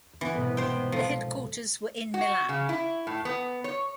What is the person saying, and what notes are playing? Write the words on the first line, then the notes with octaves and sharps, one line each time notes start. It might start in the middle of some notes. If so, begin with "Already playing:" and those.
The headquarters were in Milan.
E3 B3
C2 G#2 B2
C5 G5
F3 A4
F#4
C#3
E4
A2
B3
C#5